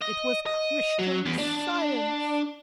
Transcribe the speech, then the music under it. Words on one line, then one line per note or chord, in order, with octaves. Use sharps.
It was Christian Science.
D#5
D#5
F#3
E2
D4